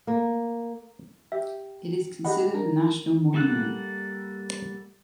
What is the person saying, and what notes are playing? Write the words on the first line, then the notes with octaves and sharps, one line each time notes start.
It is considered a national monument.
A#3
G4 E5
D4 G4 G#4 D#5 F#5 B5
D4 A#4
G3 A#3 A4 F#5 F#6